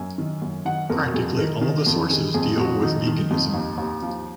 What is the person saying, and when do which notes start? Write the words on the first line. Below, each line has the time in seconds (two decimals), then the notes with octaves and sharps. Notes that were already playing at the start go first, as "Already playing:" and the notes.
Practically all the sources deal with veganism.
Already playing: F#2 G#5
0.18 D#3
0.42 F#2
0.65 D#3 F#5
0.90 F2 A#4
1.04 F#4
1.14 F2 G#4
1.37 D#3 A#4
1.61 D#3
1.86 F2
2.10 D#3 G#4
2.34 F2 G#4
2.58 F2 F#4
2.81 D#3 D#4
3.07 D#3
3.31 F2
3.54 D#2
3.78 D#2
4.02 F3